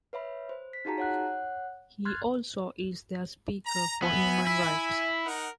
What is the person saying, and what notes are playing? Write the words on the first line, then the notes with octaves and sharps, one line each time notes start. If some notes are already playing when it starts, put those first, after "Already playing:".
He also is their speaker for human rights.
B4 C#5 E5 B5
C5
B6
D#4 F4 F#4 G#4 A5 A#5
C#5 F#5 F#6
C6 F6 F#6 G#6 A6
A#5
B3 E5 G#5
E4
D#4 A#4 F#5